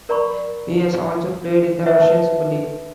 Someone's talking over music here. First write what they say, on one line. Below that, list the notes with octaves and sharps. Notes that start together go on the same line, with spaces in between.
He has also played in the Russian Super League.
A#4 D5 A#5 B5 C#6
B4 C#5 D#5 E5 F#5
B4 A5